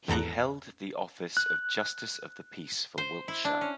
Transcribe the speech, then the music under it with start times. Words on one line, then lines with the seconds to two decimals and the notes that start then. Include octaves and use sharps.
He held the office of Justice of the Peace for Wiltshire.
0.08 G#1 E2 A4 A#5 F#6
1.37 F#6
2.98 C5
3.28 E4
3.45 D4
3.61 C#4